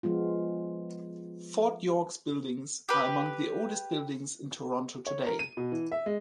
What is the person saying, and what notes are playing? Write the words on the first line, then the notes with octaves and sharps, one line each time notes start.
Fort York's buildings are among the oldest buildings in Toronto today.
F3 G#3 B3 F4
G4 B4
C#5
A#4
D#7
B2
E3
E5
G#3